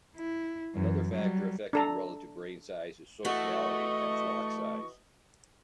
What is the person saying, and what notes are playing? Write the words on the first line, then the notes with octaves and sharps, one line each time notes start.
Another factor affecting relative brain size is sociality and flock size.
E4
F#2 E3
F#3 G3
D4 A4 A#5
E3 A3 F#4 D#5 C#6